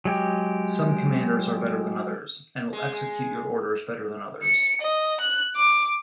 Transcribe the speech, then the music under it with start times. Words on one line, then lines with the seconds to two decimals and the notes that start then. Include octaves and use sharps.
Some commanders are better than others and will execute your orders better than others.
0.05 F#3 G#3 G4
2.73 G#3
4.43 C#7
4.82 D#5
5.21 F#6
5.56 D6